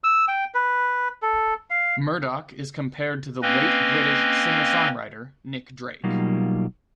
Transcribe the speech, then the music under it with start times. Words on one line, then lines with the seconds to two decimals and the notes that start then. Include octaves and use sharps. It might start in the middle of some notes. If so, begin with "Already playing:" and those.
Murdoch is compared to the late British singer-songwriter Nick Drake.
0.04 E6
0.28 G5
0.54 B4
1.22 A4
1.70 F5
3.42 A#3 C4 C#4 B4 D#5
6.03 B2 F#3 G3 A#3 D#4 F4